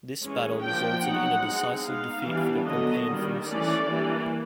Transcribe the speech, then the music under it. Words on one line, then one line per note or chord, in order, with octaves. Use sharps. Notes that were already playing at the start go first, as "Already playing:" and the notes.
This battle resulted in a decisive defeat for the Pompeian forces.
E3 G#3 C#4
F3 A#3 D4 G5
F#3 B3 D#4 F#5
G#3 C4 D#4
G#3 B3 D#4 F5
E3 G3 B3 D4
D3 F#3 B3 D#5
D#3 G3 A#3 D4
E3 A3 C#4 D5
E3 G3 A#3 D4